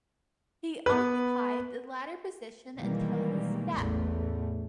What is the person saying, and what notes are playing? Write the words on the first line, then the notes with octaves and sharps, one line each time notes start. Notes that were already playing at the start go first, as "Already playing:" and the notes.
He occupied the latter position until his death.
B3 B4
B2 D#3 E3 G3 G#3 A#3
A1 E2 A3